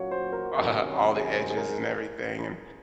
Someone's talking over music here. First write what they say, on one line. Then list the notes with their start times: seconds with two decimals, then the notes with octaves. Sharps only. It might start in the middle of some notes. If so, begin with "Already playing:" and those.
uh, all the edges and everything, and
Already playing: A#2 F#3 C#4 F#4 C#5 F5
0.11 C5
0.33 A#4
0.52 C2 C3 D#3 F#3 C#4
1.15 G#4
1.36 C5
1.50 G#4
1.57 A#4